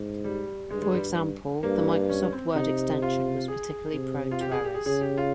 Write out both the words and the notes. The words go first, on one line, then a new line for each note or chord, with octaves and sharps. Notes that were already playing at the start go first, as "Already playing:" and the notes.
For example, the Microsoft Word extension was particularly prone to errors.
Already playing: G#2
G3
G2 G#3
G#3
G3
G2 A#3
C#4
C4
C3 D#4
F4
G#4
C3
F4
G4
G#4
G4
G#4
C#3 G#4
G4
F4